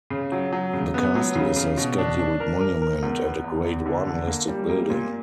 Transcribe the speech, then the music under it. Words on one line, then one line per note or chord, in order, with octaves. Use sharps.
The castle is a scheduled monument and a Grade One listed building.
C#3
F#3
F#3
C#3
B3
F#3
C#3
C#3
B2
D4
D4
A#4
A#4
A#4
E2
B3
E2
E2
D3
D3
A#3
G3
A#3
A#2